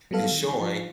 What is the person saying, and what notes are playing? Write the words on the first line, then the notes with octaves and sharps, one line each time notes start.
is showing
F#3 G3 B3 A4 F5
D#3
F3 F4